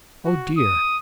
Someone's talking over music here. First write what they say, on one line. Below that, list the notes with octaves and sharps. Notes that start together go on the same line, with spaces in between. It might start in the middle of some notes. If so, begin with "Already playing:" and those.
Oh dear!
F#4
D#6